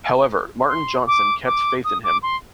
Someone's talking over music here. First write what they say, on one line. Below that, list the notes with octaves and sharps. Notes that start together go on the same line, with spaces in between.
However Martin Johnson kept faith in him.
C6
D6
D6
D#6
D6
C6